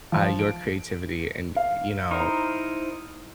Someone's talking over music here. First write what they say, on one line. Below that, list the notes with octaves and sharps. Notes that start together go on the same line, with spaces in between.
uh, your creativity and, you know,
F3
D7
F5
D#4 E4 A#4 C5